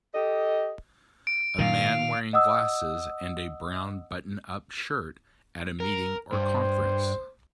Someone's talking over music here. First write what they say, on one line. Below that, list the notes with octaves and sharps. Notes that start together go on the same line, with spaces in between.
A man wearing glasses and a brown button up shirt at a meeting or conference.
G4 A4 D#5
D7
A#2 D#3 F5 F7
D#5 F#5 D#6 E6
A#4
G2 C5